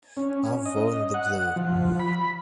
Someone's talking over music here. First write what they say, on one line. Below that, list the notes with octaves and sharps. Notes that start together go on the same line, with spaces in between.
I’ve worn the blue.
C#4
D#5
F#5
F3
B5